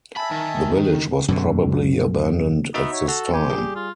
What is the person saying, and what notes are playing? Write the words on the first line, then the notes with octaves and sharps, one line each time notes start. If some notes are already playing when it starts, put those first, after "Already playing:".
The village was probably abandoned at this time.
E5 G#5 A5 B5
D#3
F#2 B2 D3
B3 D#4 F#4 E5
C#5
F#4 A4
G4 G#5
G3 G#4
F4